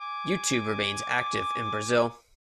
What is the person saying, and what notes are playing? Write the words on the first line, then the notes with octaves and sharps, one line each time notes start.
YouTube remains active in Brazil.
G#5 D6